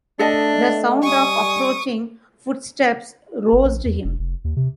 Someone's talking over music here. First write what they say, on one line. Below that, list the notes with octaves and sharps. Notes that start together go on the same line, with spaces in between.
The sound of approaching footsteps roused him.
A3 D4 A4 D#5 A5
G3 G#5 C#6 D#6
G1
A#1
E2
F1
F1
D#2
C3